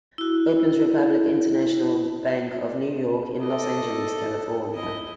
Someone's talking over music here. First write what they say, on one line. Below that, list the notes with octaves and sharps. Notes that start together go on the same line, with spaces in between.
Opens Republic International Bank of New York in Los Angeles, California.
E4 F#4
A4 D5 D#5
E4 D#5